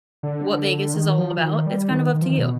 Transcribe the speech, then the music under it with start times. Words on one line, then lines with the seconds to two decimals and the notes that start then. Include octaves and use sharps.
what Vegas is all about, it's kind of up to you.
0.23 D3
0.94 D#3
1.18 F3
1.37 F3
1.43 D#3
1.66 G3
1.91 D#3
2.14 D#3
2.22 F3
2.30 D#3
2.38 B2